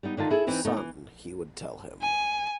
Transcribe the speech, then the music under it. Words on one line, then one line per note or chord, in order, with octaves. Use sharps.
"Son," he would tell him.
G3 B3 D#4
D3 D#3 F4 A5
E4 G#4 A4
E3 C4 D#4 B4
A3 B3 D#4
E3
G#5